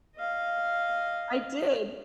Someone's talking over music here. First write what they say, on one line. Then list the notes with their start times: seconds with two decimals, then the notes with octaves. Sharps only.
I did.
0.16 D#5 F5